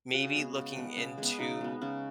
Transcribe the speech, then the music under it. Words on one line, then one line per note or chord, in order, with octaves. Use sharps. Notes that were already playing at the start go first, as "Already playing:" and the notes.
maybe looking into
C#3 F#4
G#4
G#3 B3 F#4
C#3
G#3 B3
C#3 G#4
G#3 B3 G#4
C#3 D#4
G#3 B3
C#3 C#4